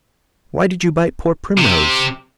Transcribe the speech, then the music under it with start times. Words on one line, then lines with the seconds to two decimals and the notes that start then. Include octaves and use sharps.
"Why did you bite poor Primrose?"
1.57 C3